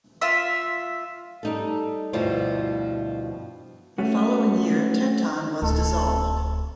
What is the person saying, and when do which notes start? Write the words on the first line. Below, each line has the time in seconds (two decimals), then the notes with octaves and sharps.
The following year Tecton was dissolved.
0.21 F4 E5
1.43 G3 D#4 A4
2.13 D2 G2 B2 F3 E4 F4
3.98 A3 C#4 F#4
5.62 D1 A4